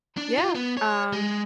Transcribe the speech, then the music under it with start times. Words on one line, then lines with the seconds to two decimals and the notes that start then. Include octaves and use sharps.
Yeah. Um
0.17 D4
0.37 F4
0.55 B3
0.77 C#5
1.13 G#3